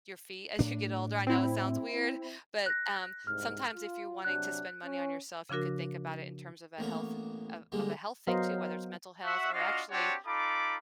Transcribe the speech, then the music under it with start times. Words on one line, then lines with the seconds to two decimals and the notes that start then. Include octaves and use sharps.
your feet as you get older; I know it sounds weird, but, um, sometimes if you're wanting to spend money on yourself, you could think about it in terms of a health of of a health thing too, whether it's mental health or actually
0.59 A2 D4
1.27 C4 E4
2.66 F#6 A#6
3.27 C2 G#2 F6
3.76 F4
4.24 C3 F#3 D4 F#6
4.85 C#4
5.49 C#3 F3 D4 F#4 A#4
6.79 A1 A#3 B3 C#5
7.72 D3 G3 G#3 A#3
8.27 F#3 B3 A#4 C5 D#5 F5
9.25 F#4 E5 F#5
9.53 D4 F4 F#4 D#5 F5
9.91 C4 D4 F#4 G4 C#5 A5
10.27 D#4 F4 A4 B5 D6